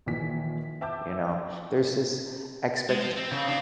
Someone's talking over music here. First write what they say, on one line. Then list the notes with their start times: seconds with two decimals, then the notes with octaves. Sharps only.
you know, there's this expect
0.06 A#1 A#2 D#3 E3 G#5 B6
0.81 E5 G5 A5 D6 E6 G6
2.89 G#3
3.00 F4 C5
3.16 C4
3.32 C#3
3.48 D4 F5